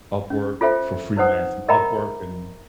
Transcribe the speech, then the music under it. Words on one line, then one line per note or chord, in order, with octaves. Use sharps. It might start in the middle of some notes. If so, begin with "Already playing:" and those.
Upwork for freelancing Upwork and
C#4
F4 A4 C5 E5 G5
D#4 B4 C5 F#5 D#6
A#4 D#5 E5 G5 A#5 B5